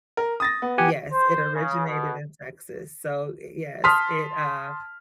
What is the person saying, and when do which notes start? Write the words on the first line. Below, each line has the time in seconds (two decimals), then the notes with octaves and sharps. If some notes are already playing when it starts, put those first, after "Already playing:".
Yes, it originated in Texas, so y yes, it, uh
0.17 A#4
0.40 D#6 A6 A#6
0.62 B3
0.78 G4 F#5 G#5
1.12 C5
1.56 C#3
1.86 B2
3.84 A5 C6 D#6 F6 B6